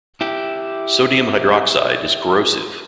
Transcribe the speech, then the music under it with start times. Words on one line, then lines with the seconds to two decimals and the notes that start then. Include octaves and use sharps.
Sodium hydroxide is corrosive.
0.21 E4 G4